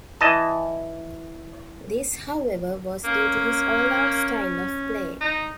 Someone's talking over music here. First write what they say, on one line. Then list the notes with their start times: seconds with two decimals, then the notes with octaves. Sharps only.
This, however, was due to his all-out style of play.
0.21 E3 D#5 A5
3.04 A#3 C#4
5.21 D#4